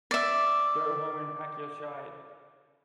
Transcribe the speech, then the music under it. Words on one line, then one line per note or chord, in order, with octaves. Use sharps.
Go home and pack your shite!
D5 E5